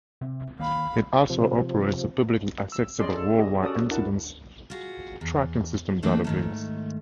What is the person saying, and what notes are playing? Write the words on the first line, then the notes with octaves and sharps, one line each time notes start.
It also operates the publicly accessible Worldwide Incidents Tracking System database.
C3
D#3 A#3 F5 B5
C3 F3
E6
C#4 G#4 D5 D#5 C6
A4
G4 G#4 D#5
C#4 F#4 A4 D5 A5 D#6
D4 E4 A#4 F#5 A5
F4 F#4 G#4
E2
E3 A3 A#3 C4 D4 D#4
G#2 D#3 A3